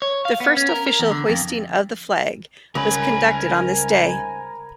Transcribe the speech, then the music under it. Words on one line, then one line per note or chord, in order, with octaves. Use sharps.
The first official hoisting of the flag was conducted on this day.
C#5
F5
B3
C#4
A#4
A#4
E2
D3
F2
C#2 G#2 G3 A#4 G#5 B5